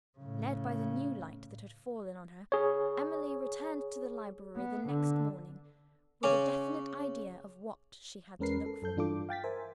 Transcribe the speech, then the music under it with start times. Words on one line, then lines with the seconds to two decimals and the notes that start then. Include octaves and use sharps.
Led by the new light that had fallen on her, Emily returned to the library the next morning with a definite idea of what she had to look for.
0.19 A2 C#3
2.52 G#4 C#5
4.56 B3
4.87 D3
6.23 C#3 C#4 D6
8.39 E2 G#3 C#4 A#4 B4 C7
8.66 A4
8.82 F#2 A4 G6
8.96 G2 E3 D4 F4 A4 D6
9.29 F5 G5 A6 B6
9.44 A#4 C5 E5 G#5